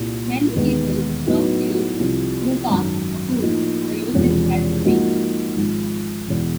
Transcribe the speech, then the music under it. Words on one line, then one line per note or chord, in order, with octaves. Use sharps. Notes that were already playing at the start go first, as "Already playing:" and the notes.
Many people now use crouton for croute, so the usage has changed.
Already playing: C2 A#2 G3
E1 D#2 D#3 G#3 B3
A2 F#3 B3 D#4
C2 C3 F3
G#1 F#2 D#3 F#3
A2 F3 A#3 D#4
E1 E2 C3 F3
G#2 F3 A#3 D#4 F#4
G#1 G#2 F3
E1 E2 B2